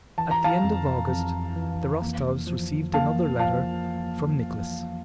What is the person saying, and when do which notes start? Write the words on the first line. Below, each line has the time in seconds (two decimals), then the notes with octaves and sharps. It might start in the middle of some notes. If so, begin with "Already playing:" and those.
At the end of August the Rostovs received another letter from Nicholas.
0.18 E3 A5
0.31 A#5
0.44 F5 A5
0.64 F2
1.09 F2
1.56 E3
2.02 A#3
2.47 F3
2.94 A#3 F5 A5
3.39 F3 F5 A5